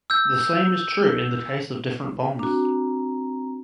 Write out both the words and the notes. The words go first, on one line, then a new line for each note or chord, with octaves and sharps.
The same is true in the case of different bonds.
E6 G6
C4 D4 F#4 A#5